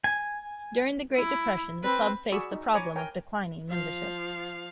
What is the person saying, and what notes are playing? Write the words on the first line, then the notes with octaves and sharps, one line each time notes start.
During the Great Depression the club faced the problem of declining membership.
G#5
E4
C4 B4
F#4 G#4 D5 B5 C#6 E6
D#4
C#5 G#5 A#5 B5 C#6 D6
A#4 C#5 G5 G#5 A#5
F3 F5